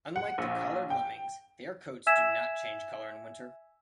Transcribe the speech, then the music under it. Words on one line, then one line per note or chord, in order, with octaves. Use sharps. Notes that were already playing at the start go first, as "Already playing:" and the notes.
Unlike the collared lemmings, their coats do not change color in winter.
F#5
A#1
G5
E5 G#5 E6 G#6 B6 E7